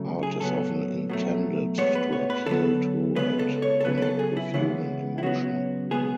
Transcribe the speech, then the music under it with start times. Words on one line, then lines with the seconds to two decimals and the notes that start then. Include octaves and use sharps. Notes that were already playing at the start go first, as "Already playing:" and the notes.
Art is often intended to appeal to and connect with human emotion.
Already playing: C#3 F#3 A3
0.23 G#4
0.40 A2 F#3 B3 A4
1.09 B2 F#3 A3
1.78 A2 G#3 B3 C#5
1.95 B4
2.13 C#5
2.30 B4
2.46 D3 F#3 B3 A4
3.16 C#3 G#3 B3 B4
3.39 A4
3.62 C#5
3.80 A4
3.85 C#3 F#3 B3 B4
3.98 B4
4.02 A4
4.19 G#4
4.37 E4
4.54 C#3 E3 G#3 B3 E4
5.18 E4
5.23 C#3 F#3 B3 F#4
5.91 B2 G#3 B3 G#4